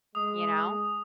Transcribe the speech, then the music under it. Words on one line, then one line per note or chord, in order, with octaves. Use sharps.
You know?
G#3 D#6